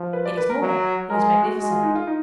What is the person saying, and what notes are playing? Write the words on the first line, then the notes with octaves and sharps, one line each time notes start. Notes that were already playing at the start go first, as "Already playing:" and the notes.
"It is more--it is magnificent."
Already playing: F3
B4
D5
B4
A#4
F#3
G#3 A#4
G#4
F#4
G#3 F#4
F4
D#4
F4
D#4